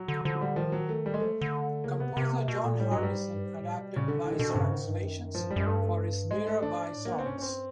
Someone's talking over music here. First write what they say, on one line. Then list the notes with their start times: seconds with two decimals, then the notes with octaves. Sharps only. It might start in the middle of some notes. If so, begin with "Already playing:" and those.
Composer John Harbison adapted Bly's translations for his Mirabai Songs.
Already playing: F#3
0.08 D3
0.25 D3 F3
0.35 F#3
0.41 G3
0.56 D#3 F3
0.72 F#3
0.89 A3
1.06 G3
1.14 G#3
1.20 F3 A3
1.41 D3
1.84 C#3 A#3
2.00 C3 B3
2.16 C3 A#3
2.32 A#3
2.48 B2 A#3
2.64 A#2 A3
2.80 A2 G3
2.91 G2 F#3
3.03 G3
3.12 G#2
3.34 G2
3.44 G#2
3.60 A2
3.75 B2
3.96 C#3
4.08 D3
4.24 E3
4.31 D#3
4.39 B2 D3
4.50 C3
4.55 G2 C#3
4.71 G#2 D#3
4.88 G2
5.04 F#2
5.35 G2 F3
5.46 F#2
5.51 G3
5.56 F#2 G#3
5.66 G2 A3
5.82 A3
6.30 G#2 G#3
6.47 A3
6.62 D4
6.94 A2
7.05 A#3
7.11 G#2 B3
7.18 C4
7.26 G2 C#4
7.38 C#4
7.42 C4